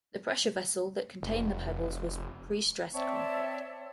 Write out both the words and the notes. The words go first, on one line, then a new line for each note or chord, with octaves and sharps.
The pressure vessel that contained the pebbles was prestressed concrete.
F1
C4 C#5 D5 E5 A5